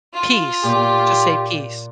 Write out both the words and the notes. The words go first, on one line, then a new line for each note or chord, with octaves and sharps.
Peace, just say, peace.
F4
A#2 G4